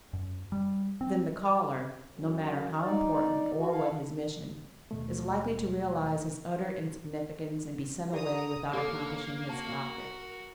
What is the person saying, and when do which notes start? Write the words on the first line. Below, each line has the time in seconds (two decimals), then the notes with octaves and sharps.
Then the caller, no matter how important or what his mission, is likely to realize his utter insignificance and be sent away without accomplishing his object.
0.13 F#2
0.52 G3
1.01 C4
2.10 F#2
2.81 D#4 D5
3.58 F#4
3.71 E4 A4 F5
4.91 D#2 B2 A3
8.13 G4 D5 F#5 A#5 D#6
8.73 A#3 G4 A4 C#5 D6
9.49 F#4 A#4 A5